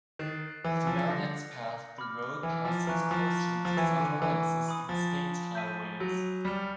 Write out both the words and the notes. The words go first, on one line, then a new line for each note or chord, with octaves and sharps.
Throughout its path, the road passes closely to several existing state highways.
D#3 F#6 A6 C7 E7
E3
F3
D3 D#6 G6 A#6 C#7
B5 D6 F6
E3
F3
E3 A#5 C#6 F#6
F3
F3
E3 C#6 F6 G#6 B6
D3
E3
G#5 B5 D#6
F3
G6 B6 D#7
F#3
G3 F6 A6 C#7 E7 G7